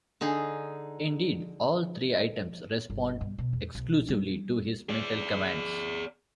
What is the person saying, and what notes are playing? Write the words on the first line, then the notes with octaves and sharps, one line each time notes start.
Indeed, "all" three items respond, exclusively, to his mental commands.
D3 D#4 G#4
G1
G2
B2
E2
B1
G3
G#4 D5